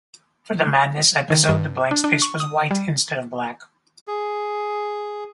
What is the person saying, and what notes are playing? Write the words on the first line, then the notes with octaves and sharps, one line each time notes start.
For the "Madness" episode, the blank space was white instead of black.
D#3
G2
D4
D4
C#6
D#6
G3
G#4